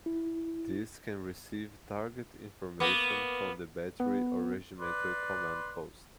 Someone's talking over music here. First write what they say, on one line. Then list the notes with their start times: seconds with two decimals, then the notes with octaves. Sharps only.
This can receive target information from the battery or regimental command post.
0.06 E4
2.80 A#3 B3
4.00 B3
4.78 B4 D5 C6